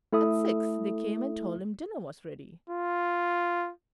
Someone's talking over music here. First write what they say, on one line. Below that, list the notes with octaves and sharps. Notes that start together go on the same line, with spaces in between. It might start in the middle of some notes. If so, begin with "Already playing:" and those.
At six, they came and told him dinner was ready.
A3 E4 A4 E5 D#6
F4